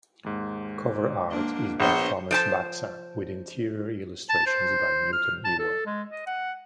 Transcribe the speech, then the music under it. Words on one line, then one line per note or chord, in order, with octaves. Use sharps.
Cover art is by Thomas Baxa, with interior illustrations by Newton Ewell.
D#2 G#2
A#3 D4
A#1 B3 C5 C#5
F3 C5 A5
A5
C5
F6
A5
A4
G#3
D#5
F#5